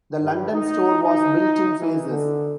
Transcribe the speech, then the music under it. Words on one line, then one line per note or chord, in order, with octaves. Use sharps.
The London store was built in phases.
G2
D#4
D#4
E3
D3